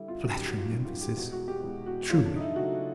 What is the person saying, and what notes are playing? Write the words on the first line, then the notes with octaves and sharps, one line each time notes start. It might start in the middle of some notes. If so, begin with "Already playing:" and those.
A flattering emphasis, truly!
Already playing: D3 G3 E4
F4
F#2 D#3 G3 F#4
G4
F#4
F4
F#2 D#3 G3
F4
G4
E2 B2 G#3 B3 F#4
F#4
G4
E2 B2 G#3 B3
F#4
C#3 F#3 A3 F4
D4
D#4
E4
C#3 F#3 A3 F#4